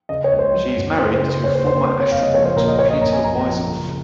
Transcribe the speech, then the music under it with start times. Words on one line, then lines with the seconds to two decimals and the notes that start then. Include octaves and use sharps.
She is married to former astronaut Peter Wisoff.
0.09 C#3 D#5
0.24 C#5
0.32 C#2
0.39 C5
0.54 F#3
0.77 F#2
0.99 C#3 C5
1.14 C5
1.22 C#3
1.29 C5
1.44 F#1 C#5
1.55 C5
1.66 F#1 C5
1.78 C5
1.89 C3 C5
2.00 C#5
2.11 F#1 F5
2.22 D#5
2.34 F3 C#5
2.45 C5
2.56 A#1 A#4
2.68 D#5
2.79 A#3 C#5
2.90 D#5
3.01 F#2 A#5
3.12 G#5
3.24 A#1 A#5
3.46 F3
3.69 C#3